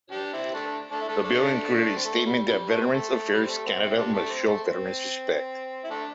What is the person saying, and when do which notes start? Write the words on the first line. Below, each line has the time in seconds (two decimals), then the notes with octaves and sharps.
The bill included a statement that Veterans Affairs Canada must show veterans respect.
0.12 D4 G4
0.33 C4 E4
0.54 A3 D4
0.92 A3 D4
1.02 E4
1.08 A3 D4
1.24 A3 D4
1.96 C4
2.05 A3
2.26 G3
2.47 C3 E3 G3
2.69 A3
2.81 C4
2.94 A3
3.33 G3
3.43 C4
3.49 A3
3.65 C4
3.81 C4 E4
3.97 D4 G4
4.14 A3 D4
4.29 C4
4.45 A3
4.62 C4
5.84 E4
5.90 A3 D4